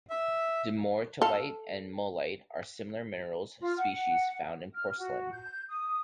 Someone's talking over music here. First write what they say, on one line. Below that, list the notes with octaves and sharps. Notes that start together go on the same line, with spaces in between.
Dumortierite and mullite are similar mineral species found in porcelain.
E5
A4 F5
F4
F#5
F6
F#4
G6
D#6